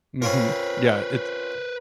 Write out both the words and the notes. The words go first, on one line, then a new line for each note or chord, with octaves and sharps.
Mhm, yeah, it's
C4 C#4 F4 A#4 B4